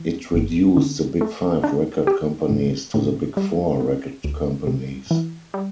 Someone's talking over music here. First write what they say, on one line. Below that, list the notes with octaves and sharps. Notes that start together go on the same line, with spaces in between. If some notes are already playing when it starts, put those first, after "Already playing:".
It reduced the Big Five record companies to the Big Four record companies.
Already playing: E3
G1
D3
A3
D4
G4
A1
A2
G3
B3
D2
C3
E3
G3